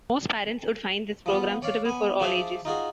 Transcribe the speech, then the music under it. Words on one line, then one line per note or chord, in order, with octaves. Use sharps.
Most parents would find this program suitable for all ages.
F3 B3 F4
C#5 D5 F5
B3 G#5
F3 D4 G#4 C5 D5 E5
D#4 F4 F#4 G#4